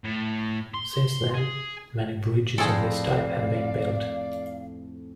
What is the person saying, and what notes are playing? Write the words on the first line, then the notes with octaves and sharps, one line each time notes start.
Since then, many bridges of this type have been built.
A2
C6
G#4
F2 A2 C4 G#4 A4 D5 F5